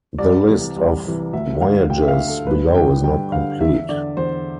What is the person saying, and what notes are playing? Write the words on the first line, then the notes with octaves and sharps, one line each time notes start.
The list of voyages below is not complete.
C2 D5
C3 E3
C2
C3 E3
D2 E5
D3 F5
D2 G5
E5
F5
D3
A4
G2 B4
D3 G5
G2 G5
D3 F5
E2 E5
D3 D5
E2 C5